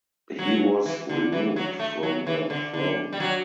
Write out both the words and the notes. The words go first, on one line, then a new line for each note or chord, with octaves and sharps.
He was removed from the throne.
F#3
E3
D3
E3
F#3
A3
F#3
E3
D3
D3
G3
F#3